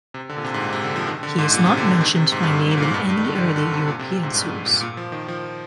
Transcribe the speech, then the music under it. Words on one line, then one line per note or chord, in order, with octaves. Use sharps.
He is not mentioned by name in any early European source.
C3
D3
A#2
C3
G#2
A#2
C3
D3
F3
D#3
D3
G#2
A#2
C3
D3
D#3
C3
G#2
G2
G#2
G#2
G#2
A#2
G#2
G2
G2
D#3
D3
D3
D#3
D3
C3
A#2
C3
A#2
G#2
G2
G#2
A#2
A#2
F3
D#3
F3